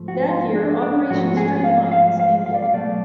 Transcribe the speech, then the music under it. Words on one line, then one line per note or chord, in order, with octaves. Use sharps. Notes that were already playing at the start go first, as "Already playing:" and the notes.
That year, Operation Streamline was ended.
Already playing: G#2 F3 A3
F#4
F4
D4
D4
G#2 F3 A3 F#4
F#4
G#4
F5
F5
F5
F5
D5
F5
B2 F#3 A3 D5